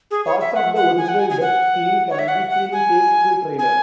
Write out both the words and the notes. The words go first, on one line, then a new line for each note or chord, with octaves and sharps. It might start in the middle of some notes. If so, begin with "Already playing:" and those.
Parts of the original death scene can be seen in theatrical trailer.
G#4
C#5
E5
F#5
F#5
G#5
F#5
G#5
G#5
F#5
C#5
E5
F#5
F#5
G#5
G#5